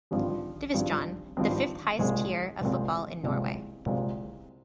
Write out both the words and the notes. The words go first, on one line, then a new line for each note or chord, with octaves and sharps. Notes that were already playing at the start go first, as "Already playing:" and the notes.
Divisjon, the fifth-highest tier of football in Norway.
G#1 G2 F3 C4
G#1 G2 F3 C4
G#1 G2 F3 C4
C2 A#2 G#3 C4
C2 A#2 G#3 C4
C2 A#2 G#3 C4
C2 A#2 G#3 C4